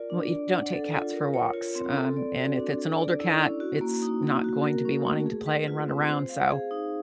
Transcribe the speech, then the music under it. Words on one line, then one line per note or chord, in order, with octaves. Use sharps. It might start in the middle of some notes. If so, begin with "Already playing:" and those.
Well, you don’t take cats for walks, um, and if it’s an older cat, it’s not going to be wanting to play and run around. So,
Already playing: F4 A#4 D5
D4
D5
F#5
A4
F4
A#4
C#5
F4
C4
A4
D5
F#4
D4
A4
D5
E4
C#4
F#4
A#3
D#4
A#3
F#4
A#4
C#4
A3
G#4
B4
F4
C4
C5
F5
G#4
D#4